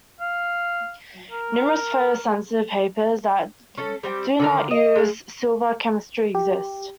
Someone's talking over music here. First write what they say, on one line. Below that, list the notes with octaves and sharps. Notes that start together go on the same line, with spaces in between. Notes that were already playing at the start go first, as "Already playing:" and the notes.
Numerous photo sensitive papers that do not use silver chemistry exist.
F5
A#4
C#4 A4
G3 C4 G4
D3 D#3 F5
D#5
G#3 F5
G4